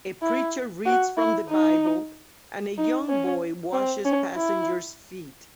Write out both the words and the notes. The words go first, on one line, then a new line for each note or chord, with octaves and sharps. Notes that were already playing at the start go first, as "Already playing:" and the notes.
A preacher reads from the bible and a young boy washes passenger's feet.
E4
F#4
E4
D#4
D#4
C#4
C4
C#4
E4